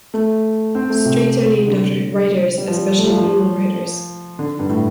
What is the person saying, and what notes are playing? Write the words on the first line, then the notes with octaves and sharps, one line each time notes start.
Streets are named after writers, especially female writers.
A3
C4
A3
C3
D3
G3
F3
G3
A3
F3
F3
D3
G2
A2